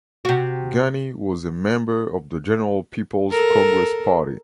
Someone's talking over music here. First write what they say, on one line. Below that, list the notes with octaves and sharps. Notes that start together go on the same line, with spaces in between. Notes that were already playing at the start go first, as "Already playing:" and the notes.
Ghani was a member of the General People's Congress party.
C3 F#4
A4 A#4